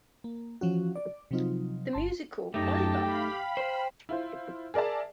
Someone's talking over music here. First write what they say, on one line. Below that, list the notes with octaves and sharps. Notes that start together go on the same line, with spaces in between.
The musical Oliver!
A#3
E3 F3 C#4 F#4
D5
C3 F3 F#3 C4 D#4 F4
G1 A5 C6
F#2 A3 D#4 G4 A5
F5 G5 B5
C5
E4 F4 C5
G#4 A#4 D5 E5 A5